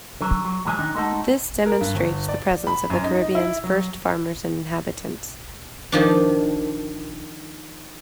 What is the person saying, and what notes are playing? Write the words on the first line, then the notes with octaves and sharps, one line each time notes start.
This demonstrates the presence of the Caribbean's first farmers and inhabitants.
D3 F#3
F#3
A2 E3 F#3 G#3 B4 G#5
D#3 D4 D#4
G#3 A3 D#4 F#4 A4
A#4
G2
G1
D5
B5
F#2
D#4
D#4
E4
F#3
D#3 F3 D4